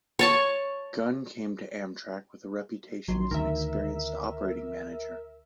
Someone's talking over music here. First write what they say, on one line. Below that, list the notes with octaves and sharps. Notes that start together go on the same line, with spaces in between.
Gunn came to Amtrak with a reputation as an experienced operating manager.
C#5 A5 C#6
A#1 D#3 F#3 C6
D2 D#3 A#4 E5